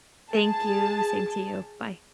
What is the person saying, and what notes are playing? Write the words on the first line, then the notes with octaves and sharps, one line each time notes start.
Thank you, same to you, bye.
G#4 A5